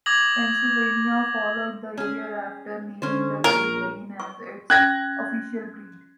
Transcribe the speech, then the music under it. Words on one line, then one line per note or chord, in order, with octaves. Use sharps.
Pennsylvania followed the year after, naming the Great Dane as its official breed.
D6 D#6 G#6 A#6 F#7
C#4 G#4
D3 C#4 C5
A#1 A#4 C#5
C#6
C#4 F#6 G#6 A#6